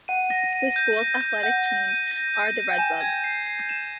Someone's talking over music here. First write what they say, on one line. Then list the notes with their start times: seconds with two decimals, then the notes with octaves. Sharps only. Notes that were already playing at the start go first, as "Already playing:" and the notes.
The school's athletic teams are the Redbugs.
0.08 F#5 D#7
0.30 A#6
0.53 D#7
0.76 G6
0.99 A#6
1.21 G6
1.43 F#5 G6
1.66 A#6
1.88 D#7
2.11 A#6
2.34 G6
2.57 D#7
2.71 G5
2.78 G#5 E7
3.00 G#6
3.24 C7
3.47 C7
3.69 E7